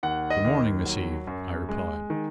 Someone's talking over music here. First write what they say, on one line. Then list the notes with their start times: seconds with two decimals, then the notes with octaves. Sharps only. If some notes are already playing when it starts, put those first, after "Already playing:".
"Good morning, Miss Eve!" I replied.
0.03 D#2 F#5
0.30 D#5
0.44 D#2
0.85 F#3
1.27 F#2
1.69 G#3
2.10 D#3